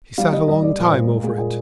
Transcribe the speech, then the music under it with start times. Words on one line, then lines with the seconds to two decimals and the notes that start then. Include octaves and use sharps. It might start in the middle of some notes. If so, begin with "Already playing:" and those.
He sat a long time over it.
0.18 G3 F5
0.33 G3 D#5
0.48 G3 D#5
0.63 G3 D5
0.79 A#2
0.86 C5
0.93 A#2
1.08 G#3 A#4
1.24 G#3 G#4
1.38 A#2 G#4